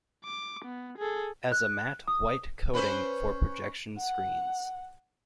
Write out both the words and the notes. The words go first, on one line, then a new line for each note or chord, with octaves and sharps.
As a matte white coating for projection screens.
D6
B3
G#4 A4
F#6
D#6
C#4 B4 C5
F#5